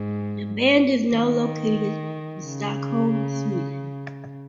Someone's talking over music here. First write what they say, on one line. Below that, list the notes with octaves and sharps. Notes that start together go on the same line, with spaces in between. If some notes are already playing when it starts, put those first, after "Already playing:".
The band is now located in Stockholm, Sweden.
Already playing: G#2
D#3
C#3